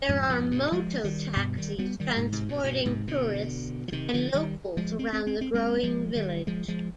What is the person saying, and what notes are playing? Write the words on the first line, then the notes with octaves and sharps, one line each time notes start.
There are Moto-taxis transporting tourists and locals around the growing village.
F2 G#2
F2 G#2
G2 B2
F3 G#3
D#3 G3
G2 B2
D#3 G3
G3 B3
D#3 G3
G#2 C3
G#2 C3
G2 B2
G2 B2
G#2 C3
B2 D3
F3
C3 D#3
D3 F3
D#3 G3
F3 G#3
C4
C4
C4
C4
G#3 C4
F3 G#3
D#3 G3
F3 G#3
F3 G#3